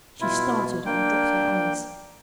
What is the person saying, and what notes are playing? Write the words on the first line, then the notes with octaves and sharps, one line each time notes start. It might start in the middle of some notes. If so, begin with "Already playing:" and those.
She started and dropped her eyes.
B2 E4 F4
A#3 D4 G5